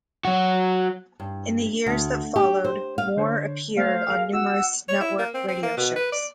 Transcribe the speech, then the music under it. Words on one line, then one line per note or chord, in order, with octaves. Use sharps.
In the years that followed, Moore appeared on numerous network radio shows.
F#3 F#4
G2
D2
G4
C5
F5
D3 C5 C#5
A3 C5 F5
G#4 A#4 F7
F#4 F#5 E6
C#5
E4
A#3
C4
C4
A#3
B2
B4
D5